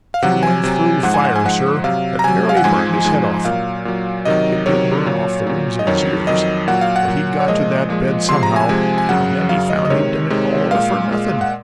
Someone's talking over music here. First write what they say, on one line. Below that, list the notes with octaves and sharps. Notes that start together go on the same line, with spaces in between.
He went through fire, sir, that nearly burned his head off--it did burn off the rims of his ears--but he got to that bed somehow, and then he found he'd done it all for nothing.
F5
C3 F#3 F#5
G#5
C3 F#3
G#2 F3 G#3 F#5
G#5
F#5
G#5
G#2 F3 G#3 F#5
C3 F#3 F5
A#5
C3 F#3 G#5
F5
F#5
G#2 F3 G#3 G#5
G#2 F3 G#3
A#2 F#3 F5
A#2 F#3
C3 D#3 F#3 D#5
C3 D#3 F#3 C#5
A#2 F#3
A#2 F#3
D#5
F2 D#3 F#3 C#5
F2 D#3 F#3 D#5
A#2 F#3 F#5
F5
F#5
A#2 F#3
C#5
A#2 F3 G#3 D#5
A#2 F3 G#3
C3 F3 G#3 C6
A#5
G#5
C3 F3 G#3
G#5
F#2 C#3 F#3 F#5
F#2 C#3 F#3 F5
D#5
D#5
C3 D#3 G#3 C#5
C3 D#3 G#3
A#2 G#3 F5
A#2 G#3
F#5